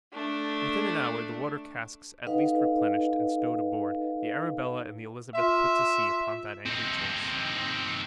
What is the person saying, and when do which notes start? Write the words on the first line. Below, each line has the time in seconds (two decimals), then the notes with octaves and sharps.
Within an hour, the water-casks at least replenished and stowed aboard, the Arabella and the Elizabeth put to sea upon that angry chase.
0.13 A3 D4
2.27 D#4 A4 B4 D#5 F5 F#5
5.35 F4 E5 C6
6.66 C4 D#4